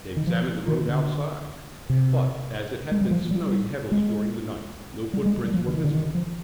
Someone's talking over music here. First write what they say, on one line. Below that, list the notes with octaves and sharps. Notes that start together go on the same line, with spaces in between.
They examined the road outside, but, as it had been snowing heavily during the night, no footprints were visible.
D#3
F3
D#3
D3
C3
G#3
G3
F3
G3
G#3
G3
G#3
G3
G3
F3
D3
D#3
D3
D#3
F3